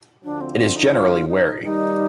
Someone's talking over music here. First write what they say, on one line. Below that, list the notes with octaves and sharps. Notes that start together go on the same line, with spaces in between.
It is generally wary.
D2 D3 F3 D4
C4
C4
D#4
F4
D#4
D#2 D#3 G3 D#4